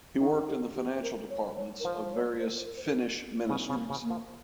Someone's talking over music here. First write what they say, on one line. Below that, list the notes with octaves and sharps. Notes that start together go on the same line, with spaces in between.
He worked in the financial departments of various Finnish ministries.
D#3 D#4
G4
G4
A#4
C#5
C#5
A#4
F3 C5
C#5
C5
A#4
C5
A#4
C#3 C4
C#3 C4
A#3
C#3
A#3
F3